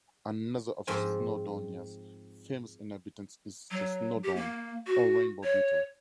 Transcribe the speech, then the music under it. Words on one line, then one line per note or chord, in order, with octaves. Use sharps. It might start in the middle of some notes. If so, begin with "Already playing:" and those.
Another of Snowdonia's famous inhabitants is the Snowdon or rainbow beetle.
G#2 F3 C4 C5 G#5
F#3
G4
A#3
F#4
C#5